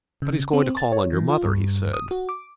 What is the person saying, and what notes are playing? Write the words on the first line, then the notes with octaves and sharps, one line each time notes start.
"But he's going to call on your mother," he said.
C#3
C4
A6
C#5
E3
F4
G2
D#6
F#4
D6